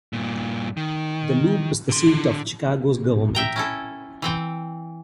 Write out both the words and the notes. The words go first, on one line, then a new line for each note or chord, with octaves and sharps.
The Loop is the seat of Chicago's government.
G2 A#2
D#3
D3 C6
E5 G5 A#5
C#4 E4 A4
E3 C4 G5